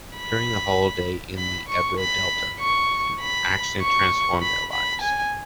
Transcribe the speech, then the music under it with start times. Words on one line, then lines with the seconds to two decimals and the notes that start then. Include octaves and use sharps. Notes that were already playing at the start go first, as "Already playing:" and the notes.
During a holiday in the Ebro Delta, an accident transforms their lives.
0.17 B5
1.38 B5
1.69 C#6
1.99 B5
2.60 C#6
3.21 B5
3.82 C#6
4.42 B5
4.72 B5
5.02 G#5